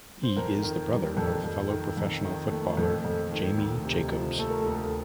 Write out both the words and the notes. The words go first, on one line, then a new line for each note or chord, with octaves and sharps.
He is the brother of fellow professional footballer Jamie Jacobs.
C5
F2 A#4
D#3
G3
F2 A4
F2
D#3
F2
D#3
A3
F2 A4
F2
D#3
D2
C3
F3
A3 A4
A#4
D2 A4